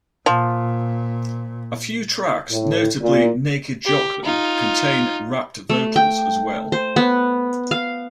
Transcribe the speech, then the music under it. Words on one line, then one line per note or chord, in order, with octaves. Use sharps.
A few tracks, notably "Naked Jock Man", contain rapped vocals as well.
A#2 F3
A2
A#2
G4
D#4 F4
A3
G5
C5
B3
F5